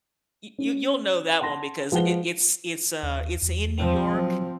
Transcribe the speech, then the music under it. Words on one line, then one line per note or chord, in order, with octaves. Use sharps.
you you you'll know that one because it, it's it's, uh, it's in New York
C#4
F#5 A5 C6 A#6
F3 G#3 B4 F#5 G7
D#2
E2
F3 C4
F#3